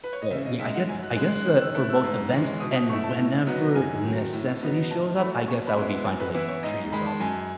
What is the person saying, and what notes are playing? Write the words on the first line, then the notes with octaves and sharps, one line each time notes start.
So, yeah, I guess I guess, uh, for both events and whenever necessity shows up, I guess that would be fine to, like, treat yourself.
B4
C#5
D#5
C#3 E5
D#5
G#3 D#4 E5
F#5
F#2 G#5
F#6
C#3 G#3 F#6
F#6
D#3 F#6
E6
A3 E4 F#6
E6
G#2
E3 G#3 C#4
B2 D#6
D#6
A3 E4 C#6
A5
A2
F#3 B3 D#4
F#2 G#5
D#3 F#3
A2
F#3 B3 D#4
A2 A5
F#3 A3 B5
B2 C#6
B5
G#3 B3 E4
F#2 G#5
B4
E3 B3 E4 B4
C#5
G#2 D#5
D#3 G#3 B5
A5
F#2 G#5